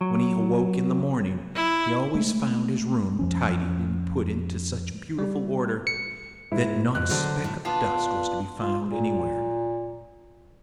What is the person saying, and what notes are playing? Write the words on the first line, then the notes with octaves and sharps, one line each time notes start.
When he awoke in the morning he always found his room tidied and put into such beautiful order that not a speck of dust was to be found anywhere.
F#3
E4
G#3 A3
F2 F3 C#4
G3
C#7
G#2 E4
F2 F#6
D3 F#3 C5
A2
B3 D4 F4
F4
A#2